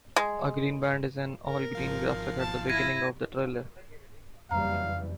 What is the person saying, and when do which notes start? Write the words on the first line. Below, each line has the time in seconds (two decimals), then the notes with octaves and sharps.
A "green band" is an all-green graphic at the beginning of the trailer.
0.16 G#3
1.46 A#4
1.75 G#1 F3 F5
2.39 A5
2.69 E4 G#6 A#6 D#7
4.51 F#1 F2 E3 G3 F5 A#5